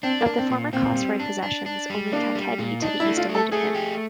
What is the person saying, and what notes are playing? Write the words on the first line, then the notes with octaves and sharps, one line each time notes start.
Of the former Chosroid possessions, only Kakheti to the east eluded him.
C4 D4
A#3
D4
C4
A#2
A#2 C4
G3
D4
D4
D4
G3
A#3 D4
G3
A#2
D4 D#4
E4
A3
F4
A3
A4
A3 G#4
G4